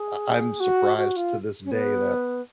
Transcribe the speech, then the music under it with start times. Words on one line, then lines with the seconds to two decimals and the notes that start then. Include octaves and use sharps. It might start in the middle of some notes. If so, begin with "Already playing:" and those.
I I'm surprised to this day that,
Already playing: G#4
0.60 F#4
0.97 F#4
1.16 F4
1.64 C#4
1.71 B3